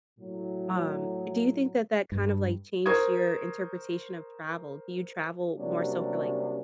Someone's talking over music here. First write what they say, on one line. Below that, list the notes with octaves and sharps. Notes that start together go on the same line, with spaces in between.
Um, do you think that that kind of like changed your interpretation of travel? Do you travel more so for like-
A2 F#3
G2
A#4 C5 A#5 C#6 D#6 G#6
C3 F#3 G3 A#3 C#4 D4